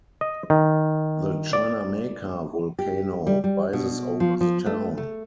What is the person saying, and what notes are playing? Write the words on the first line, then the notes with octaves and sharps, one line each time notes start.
The Chinameca Volcano rises over the town.
D#5
D#3
D5
G4
G3
G3
B2
F3
F3
A3
A3